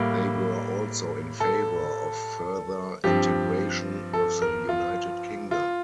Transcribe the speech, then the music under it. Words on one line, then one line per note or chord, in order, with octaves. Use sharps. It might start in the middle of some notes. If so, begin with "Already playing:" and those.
They were also in favour of further integration with the United Kingdom.
Already playing: A2 G3 A#3 A#4
A4
G2 F3 C4 G4
A4
A#4
F4
F4